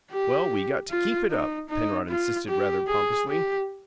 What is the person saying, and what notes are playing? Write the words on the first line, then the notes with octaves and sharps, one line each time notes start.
"Well, we got to keep it up," Penrod insisted rather pompously.
G4
F4
D#4
D#4
F4
G4
G#4
G4